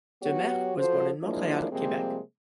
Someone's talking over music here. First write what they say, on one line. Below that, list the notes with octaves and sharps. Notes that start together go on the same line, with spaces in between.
Demers was born in Montreal, Quebec.
F#3 B3 F#4 G4 C#5
F3 F#4 A4 C5
F3 F#3 G#3 A#3 D4 E4
C3 F3 G3 G#3 A#3 C4